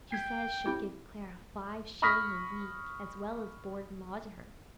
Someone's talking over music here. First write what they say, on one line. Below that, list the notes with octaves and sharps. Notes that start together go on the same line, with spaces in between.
She says she'll give Clara five shillin' a week, as well as board an' lodge her.
G5 G#6 B6 C7
C4 E4 G4
B5 C#6 D#6 F6 A#6 B6